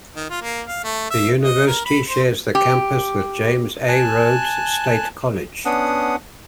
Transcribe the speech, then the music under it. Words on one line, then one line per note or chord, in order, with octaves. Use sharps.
The University shares the campus with James A. Rhodes State College.
D#3
F4
A#3
F5
A3
E5
D#5
A#4
B5
C5
G4
G#5 A5 F#6
B3 C#4 D4 F#5 D#6